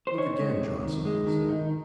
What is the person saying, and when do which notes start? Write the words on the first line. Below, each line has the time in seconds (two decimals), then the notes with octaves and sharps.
"Look again, Johnson," he said.
0.07 C5
0.18 D#4 C#5
0.40 G#3
0.61 C3
0.83 D#3
1.05 G#3
1.27 D#3
1.49 D#4